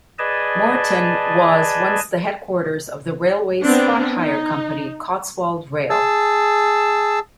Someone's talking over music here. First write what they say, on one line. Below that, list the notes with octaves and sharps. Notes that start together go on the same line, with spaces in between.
Moreton was once the headquarters of the railway spot-hire company Cotswold Rail.
G#4 B4 D5 D#5 G#5 A5
B3 C4 D4
D#4
G#4 A5 E6